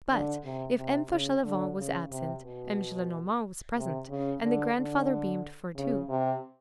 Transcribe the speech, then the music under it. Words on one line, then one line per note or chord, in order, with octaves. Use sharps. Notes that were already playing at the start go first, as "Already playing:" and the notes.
But, if M. Fauchelevent was absent, M. Gillenormand was present, and the grandfather beamed for two.
D3
C3
C3
C#3
D3
C#3
C3
B2
C3
C#3
D3
D3
C#3
C3